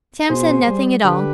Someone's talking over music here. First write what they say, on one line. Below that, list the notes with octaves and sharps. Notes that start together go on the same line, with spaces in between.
Sam said nothing at all.
B2 G#4 C5
G3
D3 G4 B4